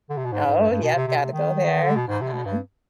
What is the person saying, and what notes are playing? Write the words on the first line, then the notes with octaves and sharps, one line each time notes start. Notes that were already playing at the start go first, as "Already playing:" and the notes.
Oh, yep, gotta go there, uh-huh.
D3
C3
B2
G#2
G#2
G2
G2
B2
C3
C3
B2
C3
D#3
D3
B2
G#2
C3
B2
G2